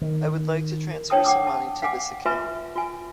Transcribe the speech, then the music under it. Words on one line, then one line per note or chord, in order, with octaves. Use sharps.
I would like to transfer some money to this account.
D#3
D4 C#5 G5 A5 D#6
F#5 G5 D6 D#6
A5
F5 F#5 G#5 D6
F4 B4 E5 G#5 A#5 C#6
F4 G#5